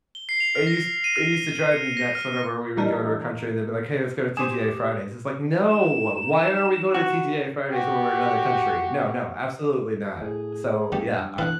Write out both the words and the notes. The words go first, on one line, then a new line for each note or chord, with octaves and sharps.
It used it used to drive me nuts whenever we would go to our country, they'd be like, "Hey. Let's go to TGI Fridays." It's like, "No. Why are we going to TGI Fridays when we're in another country? No, no. Absolutely not." So, yeah, I
G7
C7
F7
F6
A#6
D#7
F6
D#7
C#7
A#6
F6
E3 G3 D4 D#4 A#4
G4 C5 G#5 D6 D#6 E7
D#4 E7
F#4
F#4 G4
A2 G#4
G2 D3 A3 G4
E3 D4 A4 B4 F5 F#6